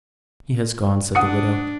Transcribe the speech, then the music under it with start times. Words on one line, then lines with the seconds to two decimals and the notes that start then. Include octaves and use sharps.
"He has gone," said the widow.
1.15 D4 F#5 D#6 C#7